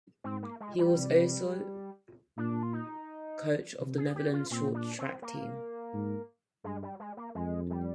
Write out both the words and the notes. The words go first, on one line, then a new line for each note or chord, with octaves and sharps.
He was also coach of the Netherlands short track team.
G#2 C4
A#3
G#3
G3
C3
A#2 D4
F4
D#4
C3
G#4
G4
F4
A#2 C4
D4
C4
A#3
G#2
G2 G#3
G3
G#3
A#3
F2 G#3
G3